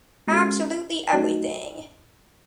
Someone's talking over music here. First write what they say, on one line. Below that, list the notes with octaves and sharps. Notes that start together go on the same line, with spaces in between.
Absolutely everything.
G#3 C#4 F#4 A4
F#3 A3 D#4 F#4